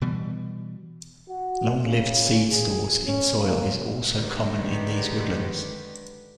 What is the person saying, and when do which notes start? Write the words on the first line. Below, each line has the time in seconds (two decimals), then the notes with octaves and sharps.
Long-lived seed stores in soil is also common in these woodlands.
0.01 B2 E3 G3
1.29 F#4
1.84 C#3
2.49 G#4
3.07 C#4
3.39 A#3
4.13 D3 D#3 G#3 G4 B4